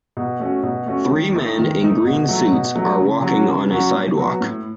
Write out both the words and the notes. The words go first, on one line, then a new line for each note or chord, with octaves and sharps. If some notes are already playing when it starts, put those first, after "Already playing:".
Three men in green suits are walking on a sidewalk.
B2
A3 C#4 F#4
B2
A3 C#4 F#4
D#3
A3 D#4
D#3
A3 D#4
B2
F#3 A3
B2
F#3 A3
C#3
F#3 C#4 F#4
C#3
F#3 C#4 F#4
A2
F#3 B3 F#4
A2